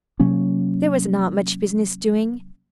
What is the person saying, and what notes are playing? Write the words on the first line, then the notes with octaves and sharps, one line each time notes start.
There was not much business doing.
C3 F#3 A#3 C#4